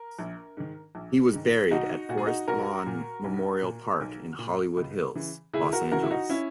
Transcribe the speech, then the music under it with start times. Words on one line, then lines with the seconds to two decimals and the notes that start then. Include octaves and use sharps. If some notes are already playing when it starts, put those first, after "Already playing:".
He was buried at Forest Lawn Memorial Park, in Hollywood Hills, Los Angeles.
Already playing: A#4
0.19 A#1
0.57 G#2 D#3
0.95 A#1
1.33 G#2 D#3
1.71 B1 D#4 F#4
2.09 A#2 F#4
2.18 G#4
2.26 D#4 F#4
2.48 B1 F#4 A#4
2.86 A#2
3.24 B1
3.62 A#2
4.01 B1
4.39 A#2
4.77 C#2
5.15 C#3 E3
5.54 C#2 E4 G#4
5.73 F#4 A#4
5.92 C#3 E3 F#4 A#4
6.03 E4
6.11 D#4 F#4
6.30 C#4 E4